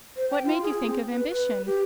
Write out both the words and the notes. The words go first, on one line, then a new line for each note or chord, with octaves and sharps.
What made you think of ambition?
C5
G5
F4
G#4
C4
B4
B4
G4